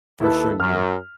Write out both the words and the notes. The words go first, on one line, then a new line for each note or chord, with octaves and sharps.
for sure you will.
D#2 E4 A4 B4
F#2 F6